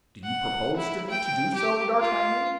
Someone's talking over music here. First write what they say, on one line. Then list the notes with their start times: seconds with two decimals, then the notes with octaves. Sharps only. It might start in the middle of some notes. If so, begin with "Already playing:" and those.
"Do you propose to me to do so, D'Artagnan?"
0.24 F#5
0.76 E4
1.10 G5
1.55 G4
2.00 F4